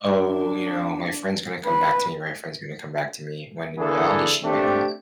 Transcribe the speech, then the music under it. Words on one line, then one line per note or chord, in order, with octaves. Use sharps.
"Oh, you know, my friend's gonna come back to me my friend's gonna come back to me," when in reality, she might not.
D4
B4
D3 E3 A#3 G#4 A4
A3 C4 D4 G4